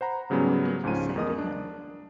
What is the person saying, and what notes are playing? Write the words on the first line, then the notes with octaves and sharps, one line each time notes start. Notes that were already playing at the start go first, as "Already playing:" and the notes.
What did you say to him?
C5 F#5 A#5 B5
G#2 C#3 F#3 G3 B3 C#4
C#2 G#2 F3 C#4 D#7
E2 A#4 D#5 D#6
D4